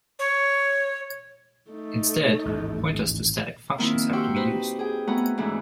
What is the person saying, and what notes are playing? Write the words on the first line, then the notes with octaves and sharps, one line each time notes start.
Instead, pointers to static functions have to be used.
C#5
A3 D#4
A1 D#2 G#2
D#3 F3 A#3 C4 D#4 E4
F#4 G4 G5 C6 C#6 E6
D#4 B4 C5
G#4 G5
A3 B3 C#4 F#4 A#5
G#2 C#3 E3 A3 D4